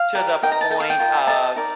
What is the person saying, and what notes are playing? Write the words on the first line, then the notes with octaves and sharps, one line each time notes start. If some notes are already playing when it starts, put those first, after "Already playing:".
to the point of,
Already playing: F5
G4 A#4 D5
D#4 A#4 D#5 G5
A#5
A5
A4 G5
D#5 F5
G5
F4 A#4 D#5
A4 D#5 A5
D#4 A#4 D5